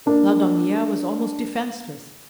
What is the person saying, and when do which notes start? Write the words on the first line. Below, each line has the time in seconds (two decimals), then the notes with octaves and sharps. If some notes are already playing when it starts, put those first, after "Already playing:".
Laudonniere was almost defenceless.
0.06 A#3 D4